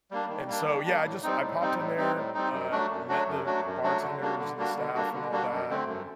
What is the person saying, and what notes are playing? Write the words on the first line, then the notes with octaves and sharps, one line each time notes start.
and so yeah, I just I popped in there, uh, met the bartenders, and the staff, and all that, and,
G3 A#3 D4
D#3
G3 A#3 D4
D#3
G3 A#3 D4
A2
G3 C4 D#4
A2
G3 C4 D#4
A2
G3 C4 D#4
A2
G3 C4 D#4
F#2
F#3 A3 D4 F#4
F#2
F#3 A3 D4 F#4
F#2
F#3 A3 D4 F#4
F#2
F#3 A3 D4 F#4
D3
G3 A#3 D4 F#4
D3
G3 A#3 D4 F#4
D3
G3 A#3 D4 F#4
D3
G3 A#3 D4 F#4
F#2
D3 A3 C4
F#2